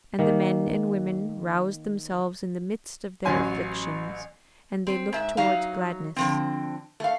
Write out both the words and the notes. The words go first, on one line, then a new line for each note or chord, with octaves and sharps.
And the men and women roused themselves in the midst of their afflictions and they looked toward gladness.
D#3 A#3
A1 F#3 C#4 G#5 C6
C4
G#2 E5
F#3 D#4 F5
D3 F3 C4
A3 F5